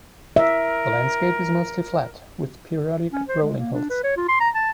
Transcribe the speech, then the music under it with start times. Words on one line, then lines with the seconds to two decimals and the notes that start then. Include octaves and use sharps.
The landscape is mostly flat, with periodic rolling hills.
0.36 A#4 E5
3.13 C#4
3.28 C5
3.42 G#3
3.58 A#3
3.73 D4
3.90 B4
4.04 C#5
4.17 F4
4.29 C6
4.40 A#5
4.55 A5